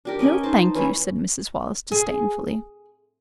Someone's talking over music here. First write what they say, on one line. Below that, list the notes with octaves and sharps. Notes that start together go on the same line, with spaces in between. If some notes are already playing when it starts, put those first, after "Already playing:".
"No, thank you," said Mrs. Wallace disdainfully.
D4 G4 A#4
C#4 D#5 G5 G#5
D#4 C5 A5
E3 C#4 B4 E5
G#4